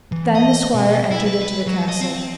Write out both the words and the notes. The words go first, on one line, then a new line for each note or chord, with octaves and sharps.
Then the squire entered into the castle.
E3
D#5
B2
E4
B4
B4
F#3
D#5
C4